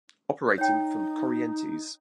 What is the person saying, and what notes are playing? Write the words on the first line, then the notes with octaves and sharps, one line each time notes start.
Operating from Corrientes.
D#4 C#5 G5